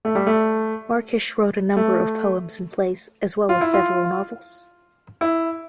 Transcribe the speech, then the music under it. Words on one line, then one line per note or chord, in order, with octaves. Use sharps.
Markish wrote a number of poems and plays, as well as several novels.
A3
G3
A3
A3
F4
E4
F4
E4